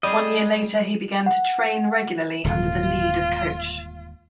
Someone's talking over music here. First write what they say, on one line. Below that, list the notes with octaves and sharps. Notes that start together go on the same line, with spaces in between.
One year later he began to train regularly under the lead of coach.
G3 G#4 D#5
F#5
D#1 G#2 D3 F4